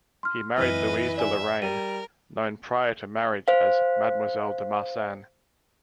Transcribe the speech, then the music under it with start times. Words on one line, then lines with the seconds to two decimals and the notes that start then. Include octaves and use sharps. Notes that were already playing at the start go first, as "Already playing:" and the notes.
He married Louise de Lorraine, known prior to marriage as "Mademoiselle de Marsan".
0.23 C6 F6
0.58 F#2 E3 F#3 C4 B4 D#5 F6 B6
1.17 D5 E5 G#5
1.62 G3 A#4 D#7
3.48 C5 F5